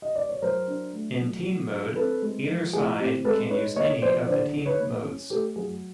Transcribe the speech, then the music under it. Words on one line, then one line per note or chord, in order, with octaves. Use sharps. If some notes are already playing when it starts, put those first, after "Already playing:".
In Team mode, either side can use any of the team modes.
D#5
D5
C#5
F#3 A#4 C5
D4
A3
F#3
F#3
D4
C4 A4 B4
G#3
F3
A2 G#4
C4 G4
G#3 A4 B4
D#4 B4 C#5
A#3 C#5 D#5
F3 C5 D5
D3 C5 D5
D#4
B4 C#5
A#3
C#4
A3 G4 A4
F#3 G#4